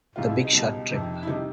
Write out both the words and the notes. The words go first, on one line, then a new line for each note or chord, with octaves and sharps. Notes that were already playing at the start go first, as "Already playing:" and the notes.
The Big Short Trip.
C2 C3 D#3 G#3 F4
E4
D#4
C#2 B2 G3 D#4
F2 C3 D#3
E4
C3 D#3 G3 D#4